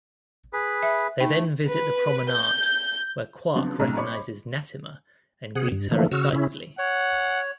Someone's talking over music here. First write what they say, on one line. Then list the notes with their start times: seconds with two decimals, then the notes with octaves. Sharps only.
They then visit the Promenade, where Quark recognizes Natima and greets her excitedly.
0.53 G#4 B4 B5
0.83 E5
1.20 A3 D#4 G5
1.68 B4
2.32 G6
3.55 C#3 F3 F#3 B3 C4 D4
3.79 B1 A2 C3 D4 D#5 A#5
3.97 C5 C#5 D#5 B5 C#6 D6
5.55 C3 G#4 F#5
5.72 G2
5.91 D3 E3 F3 A3 A#3
6.12 C#3 F#4 E6 F6
6.33 C#3 C#4 E4
6.79 C#5 F#5